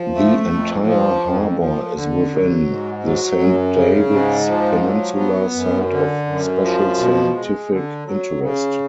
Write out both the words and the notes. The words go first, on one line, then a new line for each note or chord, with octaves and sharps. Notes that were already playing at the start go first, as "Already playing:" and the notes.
The entire harbour is within the Saint David's Peninsula Site of Special Scientific Interest.
Already playing: F3
A3
F2
F3
F2
F3
D3
F#3
G#2
F#3
F#2
C#3
G#2
F3
F#3
B3
F#2
D3
F#2
F3
B2
G#3
D3
F#3
C#3